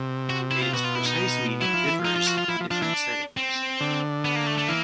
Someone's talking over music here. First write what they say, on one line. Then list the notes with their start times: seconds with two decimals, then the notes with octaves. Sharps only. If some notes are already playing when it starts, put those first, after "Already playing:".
Its precise meaning differs in different settings.
Already playing: C3
0.30 F#4
0.51 E4
0.62 F4
0.73 B2 F#4
0.84 F4
0.95 E4
1.06 D#4
1.61 F#3 E4
1.74 F3
1.86 E3
1.99 F3
2.05 D#4
2.16 F4
2.26 F#4
2.38 F4
2.48 F3 E4
2.60 F3
2.70 F3 D4
2.82 E3 D4
3.37 C4
3.81 D3
4.25 B3
4.36 A#3
4.47 A3
4.58 A3
4.68 E3 A#3